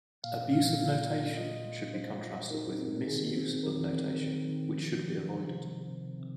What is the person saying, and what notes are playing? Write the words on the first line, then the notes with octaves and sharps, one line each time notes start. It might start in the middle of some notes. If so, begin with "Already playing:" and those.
"Abuse of notation" should be contrasted with "misuse" of notation, which should be avoided.
A#2 F5
A#2 F5
F4 F5
F4
F4 D#5
G#3
A#2 C5
F4
D#4 A#4
C4
D#3 G#4
C4
D#3 A#4
C4
D#3
D#3
F3
F3
C3 C5
C3
C3
C3